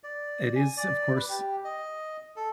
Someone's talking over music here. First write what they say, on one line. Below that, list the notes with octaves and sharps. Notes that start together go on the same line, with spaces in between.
it is, of course,
D5
G#5
D5
B4
G4
D#5
A4